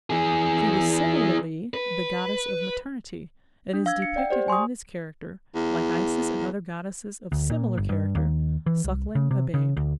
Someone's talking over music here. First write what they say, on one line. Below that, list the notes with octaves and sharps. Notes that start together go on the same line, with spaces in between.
She was similarly the goddess of maternity, and is depicted in this character, like Isis and other goddesses of similar character, suckling a babe.
E3 G#4
B4
D4
F5 E6 G#6
C#7
D5 F#5 G5
G4 C5 D5
G#5 C6 C#6 D#6
E2
D2
A#2
G1
G2
D#2
E3
C2
C#3
C3
C#3
D2